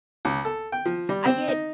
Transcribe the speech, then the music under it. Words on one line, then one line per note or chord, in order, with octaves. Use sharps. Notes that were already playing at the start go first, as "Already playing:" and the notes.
I get
C#2
A4
G5
F3
G3
C4
D#4